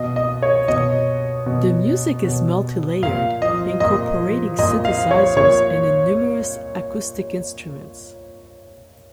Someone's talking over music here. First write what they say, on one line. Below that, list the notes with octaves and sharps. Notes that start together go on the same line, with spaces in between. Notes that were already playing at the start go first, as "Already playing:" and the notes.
The music is multi-layered, incorporating synthesizers and a numerous acoustic instruments.
Already playing: B2 D#5
D#5
C#5
B2 D#5
B2
B2
A#2 F5
F3 D#5
A#2 D#5
F3
A#2 D#5
F5
F3
C#5
A#2 C#5